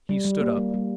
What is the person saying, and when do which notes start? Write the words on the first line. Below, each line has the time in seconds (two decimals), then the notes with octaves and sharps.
He stood up.
0.09 G3
0.25 G3
0.40 A#3
0.57 G3
0.74 G3